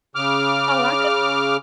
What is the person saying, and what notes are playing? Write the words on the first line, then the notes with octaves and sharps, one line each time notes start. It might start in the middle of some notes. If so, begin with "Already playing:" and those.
Oh, I could d
C#3 D6 F6